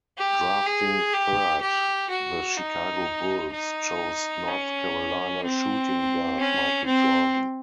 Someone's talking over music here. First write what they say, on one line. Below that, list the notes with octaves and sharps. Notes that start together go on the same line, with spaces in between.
Drafting third, the Chicago Bulls chose North Carolina shooting guard Michael Jordan.
G4
G#4
G4
G4
F#4
D#4
D#4
C#4
C4
C#4
C4